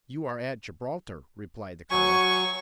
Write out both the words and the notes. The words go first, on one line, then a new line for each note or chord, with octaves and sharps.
"You are at Gibraltar," replied the colonel.
F#3 G#5 C#6